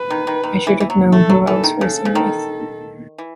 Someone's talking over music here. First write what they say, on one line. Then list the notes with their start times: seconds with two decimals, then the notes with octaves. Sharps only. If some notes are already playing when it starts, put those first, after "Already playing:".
I should have known who I was racing with.
Already playing: B4
0.10 D#3
0.27 D#3
0.43 D#3
0.67 E3
0.80 E3
0.90 F#3
1.12 A3 A4
1.30 F#3
1.47 E3 A4
1.64 D#3
1.81 C#3 A4
2.05 C#3
2.15 D#3
3.18 E3